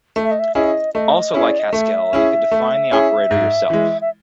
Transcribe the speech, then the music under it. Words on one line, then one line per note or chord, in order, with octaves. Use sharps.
Also like Haskell you could define the operator yourself.
A3
E5
D#5
E5
C#4 E4 G#4 D#5
A3 D#5
C#4 E4 G#4 E5
D#5
D5
D#5
A3 E5
C#4 E4 G#4
A3
C#4 E4 G#4
G#2
E3 G#3
E5